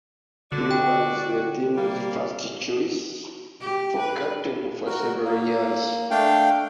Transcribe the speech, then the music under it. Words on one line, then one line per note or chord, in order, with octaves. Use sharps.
He was the team's first choice for captain for several years.
D3 F#4 D5
G5
G3 A#3
G4
B4
F#4 A#4
A#3
A3 D4 F5 G5